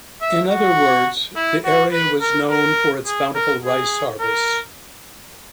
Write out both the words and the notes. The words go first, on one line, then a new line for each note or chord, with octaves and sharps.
In other words, the area was known for its bountiful rice harvests.
E5
F#4
E4
F#4
B4
A#4
A#4
G#4
A#4
G#4
A#4